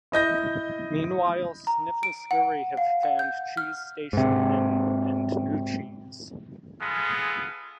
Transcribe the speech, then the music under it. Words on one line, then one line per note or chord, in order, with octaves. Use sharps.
Meanwhile, Sniff and Scurry have found "Cheese Station N," and new cheese.
E4 D#5 G6 A#6
A#5
D7
F#5
F5
F#5
G6
F6
G#2 C3
G#3 B3 F4 G#4 A4